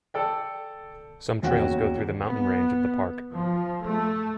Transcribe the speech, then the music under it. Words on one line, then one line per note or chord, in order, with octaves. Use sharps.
Some trails go through the mountain range of the park.
A4 D5 G5
E1 D#2 C#4 F#4 G5
B3
F3
A3